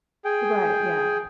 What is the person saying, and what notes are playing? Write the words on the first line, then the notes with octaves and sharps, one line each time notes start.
Right. Yeah.
G#4 G5